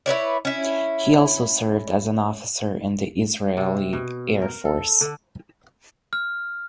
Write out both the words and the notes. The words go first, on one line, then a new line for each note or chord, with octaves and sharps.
He also served as an officer in the Israeli Air Force.
E4 B4 C#5 D5
C#4 E4
C3
B2
A#4
A4
D3
F6